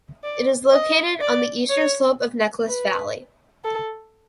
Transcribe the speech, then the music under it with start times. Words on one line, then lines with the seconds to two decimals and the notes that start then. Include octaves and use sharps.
It is located on the eastern slope of Necklace Valley.
0.24 D5
0.72 D#5
1.21 D5
1.69 C#5
2.67 B4
3.64 A4